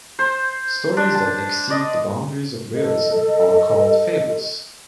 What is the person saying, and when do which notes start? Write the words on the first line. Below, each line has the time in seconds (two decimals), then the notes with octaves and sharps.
Stories that exceed the boundaries of "realism" are called "fables".
0.19 C5
0.97 D4
1.15 A5
1.70 D5 D#5
2.75 A4 D#5